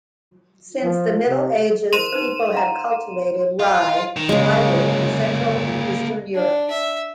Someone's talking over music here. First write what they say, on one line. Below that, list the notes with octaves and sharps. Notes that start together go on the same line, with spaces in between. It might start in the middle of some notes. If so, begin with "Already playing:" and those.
Since the Middle Ages people have cultivated rye widely in Central and Eastern Europe.
F3
C3
A#4 C5 C6 D#7 E7
D#4 B4 C5
F5 F#5 A#5
F4
D#3
C#3 G#3 A#3 C#4
D4
E5